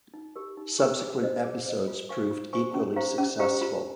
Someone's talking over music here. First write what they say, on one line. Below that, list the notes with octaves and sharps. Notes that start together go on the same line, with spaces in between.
Subsequent episodes proved equally successful.
D#4
G4 A#4
D#4
G4 A#4
G#4
C5 D#5
G#4
C5 D#5
F4
C5 F5 G#5 C#6
F4
C5 F5 G#5 C#6
C#4
G4 C5 F5 A#5
C#4
G4 C5 F5 A#5
F4